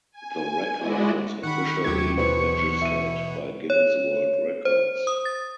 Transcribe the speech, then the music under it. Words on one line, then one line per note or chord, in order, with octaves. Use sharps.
The record was officially registered by Guinness World Records.
G#5
G#3 E4 F#4 D5 D#5
D#3 F#5 B5 C#6
D#2 C3 F#3 G4 G#6
B2 E3 B4 C5 D5
E5 D#7
C#5
C5
D#6
A6